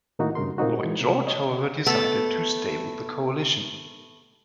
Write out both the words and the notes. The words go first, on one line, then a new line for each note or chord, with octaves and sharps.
Lloyd George, however, decided to stay with the Coalition.
A2 D#3 A#3 D#4 E4 F#4
G2 C#3 A#4 C6
A#2 A#3 C4 D#4 F#4
E3 G#3
C3
C#5 D#5
A3 B3 A4